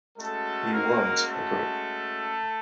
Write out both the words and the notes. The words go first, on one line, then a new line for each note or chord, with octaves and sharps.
We weren't a group.
G#3 A3 C#4 F#4 A4
A#3 A#4
A3 A4